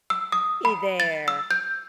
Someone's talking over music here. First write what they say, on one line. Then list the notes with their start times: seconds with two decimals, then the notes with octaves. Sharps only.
Hey there.
0.10 E6
0.32 D#6
0.65 B5
1.00 A6
1.28 E6
1.51 G6